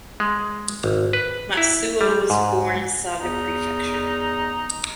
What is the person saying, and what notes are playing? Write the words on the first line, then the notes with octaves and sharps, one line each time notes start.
Matsuo was born in Saga Prefecture.
G#3
G#1
B4
E4
G3
G#2
E2 D#4